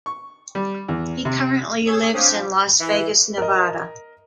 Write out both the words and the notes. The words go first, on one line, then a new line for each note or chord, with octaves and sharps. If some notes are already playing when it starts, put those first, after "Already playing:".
He currently lives in Las Vegas, Nevada.
C#6
G3
E2
C3
G#4 C#5 E6
C4 D4 G4 C#5 F5 D#6
F3
E3
A#4 D#5